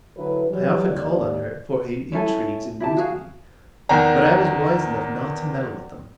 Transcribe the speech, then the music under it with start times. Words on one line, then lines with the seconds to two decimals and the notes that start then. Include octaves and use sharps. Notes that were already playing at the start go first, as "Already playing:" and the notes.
I often called on her, for her intrigues amused me, but I was wise enough not to meddle with them.
0.17 D3 F#3 E4 B4
0.49 E3 F#3 G3
0.91 D#2 D5
2.12 C#4 E4 A4 G#5
2.80 E4 G4 A5
2.97 F#4 G#4 F5
3.89 E2 D#3 D5 F#5 G5 A#5